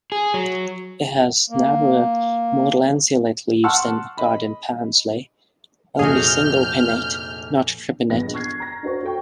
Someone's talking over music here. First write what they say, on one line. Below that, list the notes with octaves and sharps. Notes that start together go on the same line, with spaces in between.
It has narrower, more lanceolate leaves than garden parsley, only single pinnate, not tripinnate.
G#4
F#3
A#3
F#5 A5 C6 C#6 E6 F6
D#5 B5
F1 A#1 F3 F#4 G#4 A4 F6 G6
A#1 E2 G2 B3 D#5 A#6
C#6 F6 F#6 G#6 C7
A#5 A#6
D4 F#4 C5 C#6
F#4 A4 G5 C#6